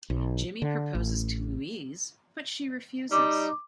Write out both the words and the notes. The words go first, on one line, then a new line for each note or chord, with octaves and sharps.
Jimmy proposes to Louise but she refuses.
B1
D3
A1
G3 D#4 D6